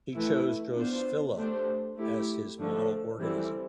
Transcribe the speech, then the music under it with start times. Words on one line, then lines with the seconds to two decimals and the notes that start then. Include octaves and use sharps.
He chose "Drosophila" as his model organism.
0.14 E3 A3 E4
0.75 B3 D4 F4 C5
1.36 A3 D4 G4 C5
1.96 A3 E4 G4
2.57 D3 F3 A3 D4 A4
3.19 E3 G3 C4 E4 A4